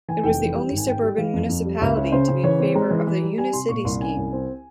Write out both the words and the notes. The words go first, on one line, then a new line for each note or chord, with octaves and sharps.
It was the only suburban municipality to be in favour of the "unicity" scheme.
E3 G#5
F1 G5
E3
G3
G#1
G#5
G#1 G5
G3
E3 F5
F2
F2
G3
C#2 E5
C#4
C#3 C5
C#3
E3 C#5
C4
G#3 A#5
E3
E3
G3
G3 G#5
C3 C6
A#2 C#6
C2 C6
C#4 G#5
C2
C4